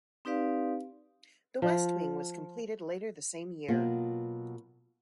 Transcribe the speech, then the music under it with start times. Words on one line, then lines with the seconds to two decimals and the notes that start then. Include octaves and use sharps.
The West Wing was completed later the same year.
0.25 C4 D#4 G4 B4 D5 F5
1.62 F3
3.68 B2 F#3 A#3 F4